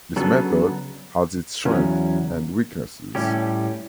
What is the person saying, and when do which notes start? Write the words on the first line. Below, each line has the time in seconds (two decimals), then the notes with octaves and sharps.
This method has its strengths and weaknesses.
0.16 C#3 F#3 B3 D4 A4
1.65 E2 C#3 F#3 C#4
3.15 A2 G3 C#4 G4